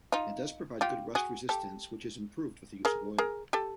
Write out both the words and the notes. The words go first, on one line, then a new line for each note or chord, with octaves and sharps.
It does provide good rust resistance which is improved with the use of oil.
D#4 F4
F4 G4
F#4 G#4
G4 A4
G#4 A#4
G#4 A#4
G4 A4